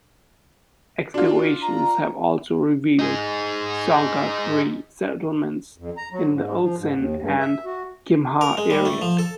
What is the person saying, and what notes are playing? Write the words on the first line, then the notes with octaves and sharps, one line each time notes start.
Excavations have also revealed Songguk-ri settlements in the Ulsan and Gimhae areas.
D4 F4 F#4
A#5
D#4 G#4
F2
A#5
F#3
G#2
F3
G#2
D#2
G2
E5
F#4
A#4
G#3
G3
A3
F3
A4